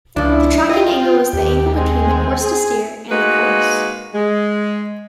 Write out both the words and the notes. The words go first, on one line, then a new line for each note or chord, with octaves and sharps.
The tracking angle is the angle between the "course to steer" and the "course".
C#2 F3 D4 E4
F4 D#5 G5
D#2 G4
G#3 C4 G#5
G#4
G#3 A#3 D#4 F#4 B4
G#3